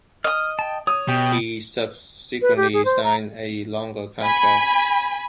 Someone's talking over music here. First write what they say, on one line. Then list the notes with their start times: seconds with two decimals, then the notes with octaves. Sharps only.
He subsequently signed a longer contract.
0.24 D#5 D#6 F6
0.59 G5 A5
0.87 C#5 D#6
1.08 B2 G4
2.42 B4
2.57 G4
2.73 G#4
2.85 C5
3.04 A#5
4.23 G#5 B5